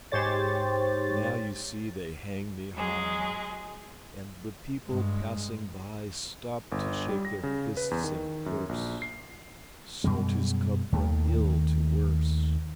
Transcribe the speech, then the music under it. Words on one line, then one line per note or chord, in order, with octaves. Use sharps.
"Now, you see, they hang me high, And the people passing by Stop to shake their fists and curse; So 'tis come from ill to worse."
G#2 G4 C5 C#5 A6
F#3 G#3 G#4
G2 G#3
G1
G3
A#6
C#3
B4
E2
D#3
F#2
A#1
C7
F#2 B2 G3 G#3
D#2 D#3 A3